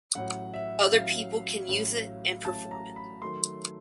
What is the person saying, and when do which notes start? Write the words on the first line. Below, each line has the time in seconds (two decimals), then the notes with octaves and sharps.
Other people can use it and perform it.
0.15 A1 A2 F#3 F#5
0.54 E5
0.91 A1 A2 F#3 F5
1.69 A1 A2 F#3
2.45 A1 A2 F#3 A5
2.71 A#5
2.96 B5
3.22 D#3 F#3 A3 C6